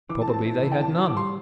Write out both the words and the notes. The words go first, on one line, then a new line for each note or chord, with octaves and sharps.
Probably they had none.
E3 D6
A5
C4
A5
E4
E3
G5
C3 A5
E3
D6
G3 C6